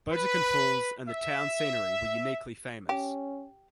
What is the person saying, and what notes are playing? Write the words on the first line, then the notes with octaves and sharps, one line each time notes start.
Botocan Falls and the town's scenery were uniquely famous.
B4
E5
C#4 G4